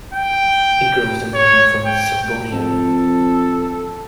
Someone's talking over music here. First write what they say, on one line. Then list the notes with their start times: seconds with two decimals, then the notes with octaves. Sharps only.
It grows in the rainforests of Borneo.
0.14 G5
1.34 C#5
1.86 G5
2.52 F2 A4